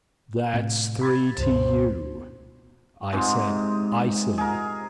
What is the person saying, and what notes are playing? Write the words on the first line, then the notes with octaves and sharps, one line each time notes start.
"That's three to you," I said icily.
A2 C3
B5 G#6 A6
C#2 G2 C5
G#2 C3 G#3
G#4 A#4